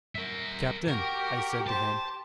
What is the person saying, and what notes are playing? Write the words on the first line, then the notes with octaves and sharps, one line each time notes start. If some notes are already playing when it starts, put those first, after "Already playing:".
"Captain!" I said to him.
A#4 E5
F#4 G4 A#4 G5
C5 A5